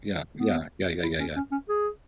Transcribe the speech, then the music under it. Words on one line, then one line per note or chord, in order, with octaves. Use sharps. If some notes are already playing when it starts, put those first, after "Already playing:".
yeah, yeah, yeah, yeah, yeah, yeah.
B3
E4
C#4
C#4
C#4
G#4